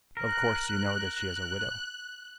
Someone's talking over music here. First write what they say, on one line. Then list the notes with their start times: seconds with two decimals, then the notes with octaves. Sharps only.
"Of course you know that she is a widow."
0.17 A#4 F#6